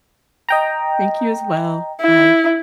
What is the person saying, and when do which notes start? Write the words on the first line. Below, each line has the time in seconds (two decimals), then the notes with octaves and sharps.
Thank you as well, bye.
0.49 D#5 G5 A#5
2.01 E4